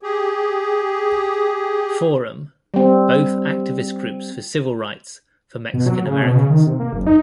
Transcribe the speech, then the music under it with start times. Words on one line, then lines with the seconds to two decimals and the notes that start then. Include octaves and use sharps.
Forum, both activist groups for civil rights for Mexican Americans.
0.03 G4 G#4
2.74 G3 C4
5.74 B2
5.86 F#3
6.05 C#3
6.22 B2
6.35 C#3
6.50 D#3
6.67 C3
6.79 A#3
6.93 F#1
7.07 D#4